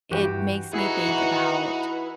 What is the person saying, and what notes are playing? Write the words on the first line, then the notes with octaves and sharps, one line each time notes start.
it makes me think about
G2 E3 F#4 G4
D#4 E4 F#4 G#4 B4
E3